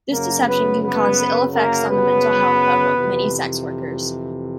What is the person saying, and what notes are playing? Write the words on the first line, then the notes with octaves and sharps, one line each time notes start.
This deception can cause ill effects on the mental health of many sex workers.
F#2 C#3 F#3 A#3 A#4
B3 B4
B3 B4
A#3 A#4
B3 B4
F2 C3 E3